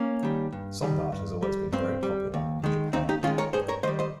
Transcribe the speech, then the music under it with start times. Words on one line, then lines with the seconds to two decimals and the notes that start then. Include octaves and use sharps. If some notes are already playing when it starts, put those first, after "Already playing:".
Sombart has always been very popular in Japan.
Already playing: A#3 C#4
0.23 D#3 G3
0.53 G2
0.82 D#3 G3
1.12 G2
1.42 G3
1.72 G2 C4
2.03 G3
2.34 D#2
2.64 D#3 G#3
2.93 D#2 C4 D#4
3.09 D#4 G4
3.23 D#3 C#4 F4
3.27 G#3
3.38 A#4 C#5
3.53 G2 G#4 C5
3.68 A#4 C#5
3.83 D#3 G3 C5 D#5
3.99 C5 D#5